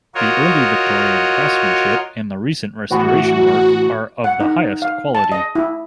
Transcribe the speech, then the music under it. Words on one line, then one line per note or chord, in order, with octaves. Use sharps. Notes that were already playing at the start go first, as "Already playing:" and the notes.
The early-Victorian craftsmanship and the recent restoration work are of the highest quality.
F4 F#4 A#4 C#5 D#5
A2 E3 B3 F#4
F#5
D#4
F5
A5
D#5
E4